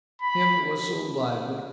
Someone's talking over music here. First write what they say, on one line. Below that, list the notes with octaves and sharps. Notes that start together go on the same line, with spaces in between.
Him that was so lively!
B5